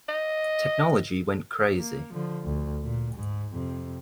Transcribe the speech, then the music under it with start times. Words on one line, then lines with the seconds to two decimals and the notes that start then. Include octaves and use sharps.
Technology went crazy.
0.09 D#5
1.77 A#3
2.13 D3 F3
2.44 D2
2.83 A#2
3.14 G#2
3.54 F2 C3